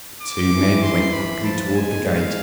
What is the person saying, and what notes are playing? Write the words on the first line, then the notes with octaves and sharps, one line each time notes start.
The two men went quickly towards the gate.
D6
E3
C6
E3 B5
F3 A5
G#3 G#5
G#3 F5